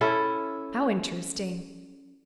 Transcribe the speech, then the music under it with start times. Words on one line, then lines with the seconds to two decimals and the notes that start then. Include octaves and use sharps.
How interesting!
0.01 C#4 E4 A4